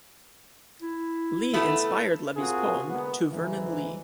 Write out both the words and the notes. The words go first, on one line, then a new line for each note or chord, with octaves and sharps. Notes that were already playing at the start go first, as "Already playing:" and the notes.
Lee inspired Levy's poem To Vernon Lee.
E4
A3 B3 E5
C3 F4 F#4 G#4 A#4
D3 G#3 A#3 B3
D2 G#2 C#3 E3